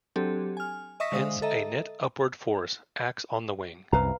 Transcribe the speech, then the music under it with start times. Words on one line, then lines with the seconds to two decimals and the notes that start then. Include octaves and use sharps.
Hence, a net upward force acts on the wing.
0.16 F#3 C4 D4 G4 A4
0.57 G#5 F6
1.00 D#5 E5 C#6 D#6 A#6 B6
1.12 D3 G#3 C5 F5 D#6
1.42 A4 D#5 E5 A#5
3.92 C2 F#2 C3 B4 F5 A#5